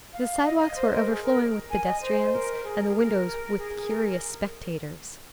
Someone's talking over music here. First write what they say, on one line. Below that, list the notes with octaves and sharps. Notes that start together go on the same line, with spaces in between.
The sidewalks were overflowing with pedestrians and the windows with curious spectators.
F5
D#5
D#5
C5
A#4
G#4
A#4
G#5
D#5
C5
A#4
G#4
A#4
G#4
A#4
G#4
A#4